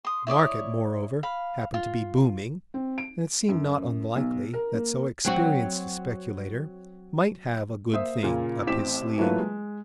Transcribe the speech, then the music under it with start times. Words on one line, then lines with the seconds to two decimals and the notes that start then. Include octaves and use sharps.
The market, moreover, happened to be booming, and it seemed not unlikely that so experienced a speculator might have a "good thing" up his sleeve.
0.05 C6 D#6
0.27 E4 C#5 D5 D#6
1.23 F5 B5
1.74 F4
2.74 C4
2.98 D7
3.49 F#2
4.16 B1
4.53 A#4
4.74 A#3
5.25 F#3 C4 F#4
7.92 A#3 C5 E5 D#6
8.23 A#2 C#3 A#3 F4
8.67 A1 A2 C4 D6 B6 E7
9.18 E3 F#3 A3 A#3 F4 B4
9.39 G#3